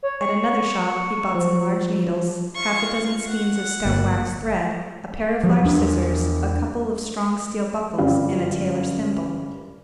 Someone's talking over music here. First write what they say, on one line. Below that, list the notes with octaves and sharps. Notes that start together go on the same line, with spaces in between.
At another shop he bought some large needles, half-a-dozen skeins of stout waxed thread, a pair of large scissors, a couple of strong steel buckles, and a tailor's thimble.
C#5
C#6
F3
F4 C#6
F#5
G1 A#3
F3 G3
E2 D4
G1 F#2 G3 F5